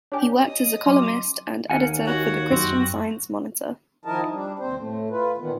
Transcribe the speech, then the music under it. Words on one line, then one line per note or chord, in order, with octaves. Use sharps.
He worked as a columnist and editor for "The Christian Science Monitor".
D4 G4 C#5 G#5
D#5 D#6
F#3 C#4 C6 D6
D#2 A#4 F#5 G#5
F#4 C#5
F#2 C4
D#3 F3 E4 A#4 D#5 A5
G3 D4
D#2 C3 C4 C5
A2 A3
F4 B4
A#2 D#3 E3 B3